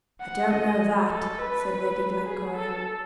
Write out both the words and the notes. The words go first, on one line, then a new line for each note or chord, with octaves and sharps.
"I don't know that," said Lady Glencora.
F#5
D#5
A4
B4
G#4
A4